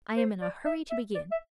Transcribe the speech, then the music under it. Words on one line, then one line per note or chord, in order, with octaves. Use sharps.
I am in a hurry to begin.
C5
D5
E5
E5
D5
E5